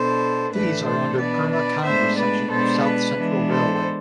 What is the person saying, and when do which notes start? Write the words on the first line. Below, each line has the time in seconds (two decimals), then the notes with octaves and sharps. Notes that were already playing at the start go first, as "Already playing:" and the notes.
These are under Purna - Khandwa Section of South Central Railway.
Already playing: B2 B3 D4 A4 C5
0.52 A2 E3 A3 D4 B4
0.85 A4 C5
1.19 B2 B3 D4 B4 D5
1.52 B4 D5
1.84 A2 G#3 B3 D4 C5 E5
2.17 B4 D5
2.50 B2 G#3 B3 D4 A4 C5
2.83 B4
3.17 E3 G#3 B3 D4
3.50 A4 C5